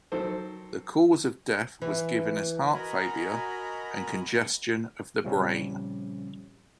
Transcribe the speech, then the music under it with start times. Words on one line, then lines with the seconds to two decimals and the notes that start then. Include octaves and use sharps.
The cause of death was given as heart failure and "congestion of the brain".
0.12 D#3 F#3 A4 C5
1.82 E3
2.74 F#4 A#4 D#5 G#5 A#5 B5
5.24 A#2 C#3 F3 G3 C4 C#4